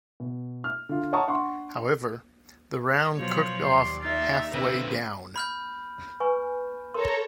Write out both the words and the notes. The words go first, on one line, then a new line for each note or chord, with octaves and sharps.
However, the round cooked off halfway down.
B2
F6
D3 F4
C#5 F#5 A5 A#5 C#6 D#6
D4 F#5 C6 C#6
B2 F3 F#3 C#5
D#2 G4 D5 C6
D#4 F4 E5
D3 C4 B4 E5
B5 F6 G6
B4 G#5 C#6
A4 A#4 C#5 A#5 C6